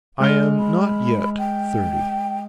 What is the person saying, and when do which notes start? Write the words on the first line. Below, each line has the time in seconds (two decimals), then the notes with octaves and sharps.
'I am not yet thirty.'
0.20 G#3 F6 G7
0.59 B5
1.39 G5